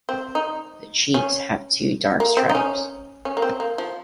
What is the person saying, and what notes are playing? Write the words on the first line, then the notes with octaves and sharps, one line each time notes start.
The cheeks have two dark stripes.
C4
D#4
C#4
A#3
C4
D#4
C#4
C#4
A#3
C4
A#3
F3